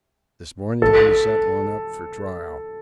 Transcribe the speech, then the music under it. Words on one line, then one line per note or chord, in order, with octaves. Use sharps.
This morning he sent one up for trial.
A4